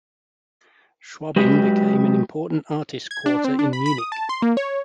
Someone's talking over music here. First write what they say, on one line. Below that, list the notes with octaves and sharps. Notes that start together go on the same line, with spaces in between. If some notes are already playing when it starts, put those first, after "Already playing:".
Schwabing became an important artists' quarter in Munich.
F#3 G#3 G4 B4
G#6
D4
C4
D4
B5
B5
D#6
A5
C6
A#3
C#5